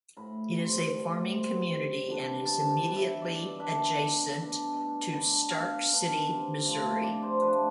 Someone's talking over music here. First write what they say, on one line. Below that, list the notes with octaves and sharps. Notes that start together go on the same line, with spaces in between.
It is a farming community and is immediately adjacent to Stark City, Missouri.
A2 B5
G3 C4
A2
G3 C4
C3
E3 B3 D4
C3 A5
G5
E3 B3 D4
E5
B2 D5
B3 D4 E5
B2
B3 D4
B2
B3 D4
B2 F5
B3 D4
C3
F3 A3 D4
C3 D5
C5
F3 A3 D4 B4